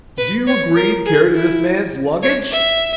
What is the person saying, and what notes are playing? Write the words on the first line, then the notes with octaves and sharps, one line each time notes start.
"Did you agree to carry this man's luggage?"
B4
C#5
A#4
G#4
E4
C#5
E5